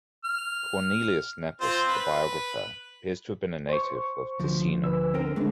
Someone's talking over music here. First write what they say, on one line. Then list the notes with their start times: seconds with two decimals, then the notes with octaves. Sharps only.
Cornelius Nepos, the biographer, appears to have been a native of Ticinum.
0.25 F6
1.61 C4 F4 C5
1.89 B4
3.69 C5 C#6
4.40 D2 F3
4.84 B4 E6
5.14 D3 C4 A#4 G5
5.36 D3 G#3 A3 D4